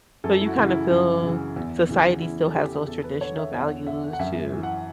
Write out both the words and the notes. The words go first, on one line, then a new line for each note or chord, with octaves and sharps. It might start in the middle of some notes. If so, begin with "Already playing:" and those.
So you kind of feel society still has those traditional values to
F#2 A4
E4
F#4
C#3 E3
E4
F#2
C#3 E3
E2
C#3 E3
E2 E4
A4
C#3 E3 G4
E2 A4
B4
D3 C#5
E5
E2 F#5
D3 E5
F#5
F#2 E5
E3
F#5